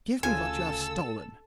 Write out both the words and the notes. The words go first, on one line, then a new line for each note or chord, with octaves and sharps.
'Give me what you have stolen!'
D2 C#3 F4 A4 G#5 E6